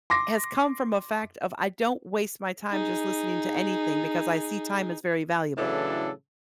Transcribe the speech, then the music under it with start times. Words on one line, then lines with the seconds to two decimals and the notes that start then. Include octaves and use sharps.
has come from a fact of I don't waste my time just listening to anything because I see time as very valuable.
0.10 C6 D6 A#6
2.71 D#4 G#4
5.58 A2 C#3 E3 F#3 D4 A4